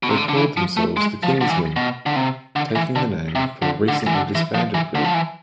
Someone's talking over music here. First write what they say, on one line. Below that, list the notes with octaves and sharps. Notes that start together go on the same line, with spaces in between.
They called themselves the Kingsmen, taking the name from a recently disbanded group.
B2
C3
D3
D3
E3
F3
A3
G#3
F3
D3
E3
B2
D3
C3
D3
E3
D3
C3
D3
D3
E3
D3
E3
F3
E3
D3
F3
E3